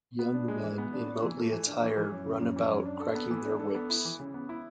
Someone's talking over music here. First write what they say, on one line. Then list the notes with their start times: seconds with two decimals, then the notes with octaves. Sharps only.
Young men in motley attire run about cracking their whips.
0.19 B3
0.34 D4
0.48 G#3
0.63 E3
0.78 B3
0.93 D4
1.08 D4
1.22 E3
1.37 A3
1.52 E3
1.67 D4
1.82 E3
1.97 E3
2.12 F#2
2.26 C#3
2.41 F#2
2.56 E3
2.71 F#2
2.86 D4
3.00 A4
3.15 B3
3.30 E3
3.45 D4
3.60 A4
3.75 B3
3.90 E4
4.05 E3
4.20 C#3
4.34 B3
4.49 E4